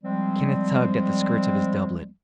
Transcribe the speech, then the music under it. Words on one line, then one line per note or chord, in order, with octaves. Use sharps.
Kenneth tugged at the skirts of his doublet.
F3 G3 G#3 C4